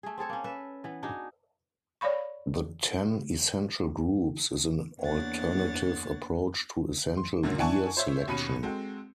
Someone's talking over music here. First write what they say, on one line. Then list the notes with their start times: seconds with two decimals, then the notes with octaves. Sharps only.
The "Ten Essential Groups" is an alternative approach to essential gear selection.
0.03 A3 G#4
0.18 C4 G#4 A4 C#5
0.29 A#3 C#4
0.44 A4 B4 E5
0.84 E3 B3
1.03 D4 D#4 F#4 G#4
2.01 C#5 D5 F5 B5 C#6
5.00 E2 A#3 D4 C#5 F#5 A6
7.17 C6
7.43 F#2 A#2 D3 F#3 A#3
7.58 D4 E4 F#5 G#5 A5 C#6
7.97 C5 C#5 E5
8.28 D#2 B2 C#4 B5 C#7 D#7
8.63 G#3 C4 F#4 A4